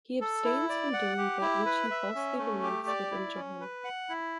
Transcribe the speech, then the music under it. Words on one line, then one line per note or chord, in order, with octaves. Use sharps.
He abstains from doing that which he falsely believes would injure him.
A4
E4
D5
F#5
G4
E4
B4
E5
C#4
A3
G4
D5
E4
C#4
B4
F#5
E4